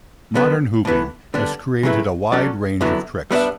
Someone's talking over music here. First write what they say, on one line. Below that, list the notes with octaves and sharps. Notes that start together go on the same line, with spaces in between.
Modern hooping has created a wide range of tricks.
D3 F#3 B3
A2 E3 B3
D3 G3 B3 D4
C#3 F#3 A3 E4 B4
F#3 C#4 F#4 A4 D5
F#2 D3 F#3 B3 E4
G3 B3 D4 A4 E5